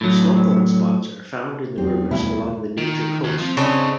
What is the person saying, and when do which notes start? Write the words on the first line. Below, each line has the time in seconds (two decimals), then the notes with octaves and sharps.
Snorkeling spots are found in the rivers along the Nature Coast.
0.01 A2 F#3
1.78 E2 F#3 C4 G4
2.11 D2 G2 B2 E4
2.78 D#3
3.24 D#2
3.38 F3 C4
3.57 C#3 D4 A4 C#5 D#5